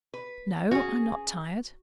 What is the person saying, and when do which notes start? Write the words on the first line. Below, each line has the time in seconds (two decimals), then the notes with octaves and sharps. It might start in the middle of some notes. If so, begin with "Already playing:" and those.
"No, I'm not tired."
0.14 B4
0.71 C#4 F#4 G#4